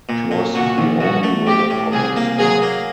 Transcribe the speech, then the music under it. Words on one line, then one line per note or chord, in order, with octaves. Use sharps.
She was the only woman on the staff.
A#2
A#2
A#2 F#4
A#1
A#1 F#4
A3
A2 G4
A2
C2 G#4
A#3
F#3 G#4
A#3